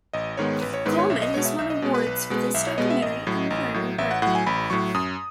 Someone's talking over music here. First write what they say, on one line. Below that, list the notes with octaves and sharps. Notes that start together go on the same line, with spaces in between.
Coleman has won awards for this documentary and literary work.
A1 D#5
G#2 D#3 G#3 B3 C#5
A1 B4
C#5
G#2 D#3 G#3 B3 B4
C#5
B1 E5
D#5
B2 G#3 B3 C#5
E5
B1 E5
D#5
B2 G#3 B3
B4
B1
B2 G#3 B3
B1 E5
C#5
B2 G#3 B3 D#5
E5
A1 D#5
A2 F#3
A1
A2 F#3
A1 E5
F#5
A2 F#3 F#5
G#5
A1 B5
A2 F#3 C#6
F#2 D#6